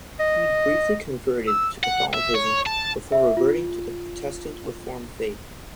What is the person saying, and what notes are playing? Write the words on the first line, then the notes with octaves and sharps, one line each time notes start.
He briefly converted to Catholicism, before reverting to the Protestant Reform faith.
D#5
E6
F#5
E5
C#5
A5
E5
F4